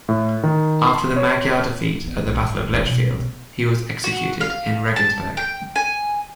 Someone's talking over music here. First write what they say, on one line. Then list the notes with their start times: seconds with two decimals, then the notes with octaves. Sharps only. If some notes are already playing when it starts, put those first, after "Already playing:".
After the Magyar defeat at the Battle of Lechfeld, he was executed in Regensburg.
0.09 A2
0.43 D#3
0.87 C6
1.16 C#5
2.06 B3
2.26 B1
2.41 G#2
2.59 C#3
2.74 E4
2.87 B2
3.12 B1
4.04 F#4
4.41 F5
4.96 A5
5.37 G5
5.76 G#5